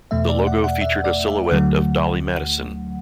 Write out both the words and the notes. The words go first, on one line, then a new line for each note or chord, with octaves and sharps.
The logo featured a silhouette of Dolly Madison.
E2 B2 A3 E5
D5
F#5
F#5
E5
D5
E5
D2 D3 F#3 A3 F#5